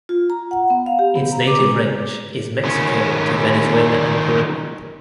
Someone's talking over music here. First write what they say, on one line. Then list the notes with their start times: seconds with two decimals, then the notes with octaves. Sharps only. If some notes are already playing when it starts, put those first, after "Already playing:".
Its native range is Mexico to Venezuela and Peru.
0.09 F4
0.30 A#5
0.51 F#5
0.70 B3
0.86 F5
0.99 G4
1.16 B3
1.32 A#5
1.47 D6
1.59 G#3
2.65 D#3 C#4